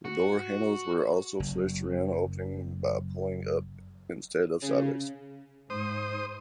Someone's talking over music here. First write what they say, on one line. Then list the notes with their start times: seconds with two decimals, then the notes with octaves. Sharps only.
The door handles were also switched around, opening by pulling up instead of sideways.
0.05 F#4
1.40 F#1 F#2
4.62 C#3
5.70 G#2 C5 D#6